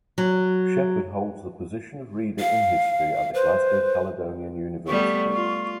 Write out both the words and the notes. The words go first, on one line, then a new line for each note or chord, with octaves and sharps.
Shepherd holds the position of reader in history at the Glasgow Caledonian University.
F#3
F5
B4 C5
G3 A3 B3 C#6
F4